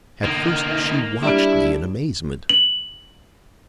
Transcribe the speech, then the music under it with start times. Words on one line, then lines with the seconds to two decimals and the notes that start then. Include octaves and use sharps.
At first she watched me in amazement.
0.24 D3 A#3 D#4
1.23 G3 D4 E4 D7
2.49 F#7